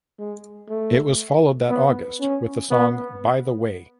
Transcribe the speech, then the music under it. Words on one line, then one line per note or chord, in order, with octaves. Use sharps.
It was followed that August with the song "By the Way".
G#3
A3
B3
C#4
B3